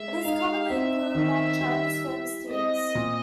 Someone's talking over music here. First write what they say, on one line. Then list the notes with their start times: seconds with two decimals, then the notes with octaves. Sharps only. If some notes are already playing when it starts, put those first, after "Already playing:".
It is commonly included among China's famous teas.
Already playing: G#3 E5
0.25 D#4 F5
0.70 C4 E5
1.15 D#3
1.61 G3
2.05 E4
2.50 C4 D#5
2.95 A#2